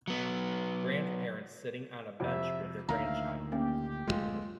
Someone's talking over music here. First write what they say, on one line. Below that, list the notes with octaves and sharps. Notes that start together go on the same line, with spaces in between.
Grandparents sitting on a bench with their grandchild.
F#3 B3
F2 C3 E5
D2 A#2 D#3 E5 F5 A#5
A#3 C#4 G4
D1 D#2 G#3 A3 F4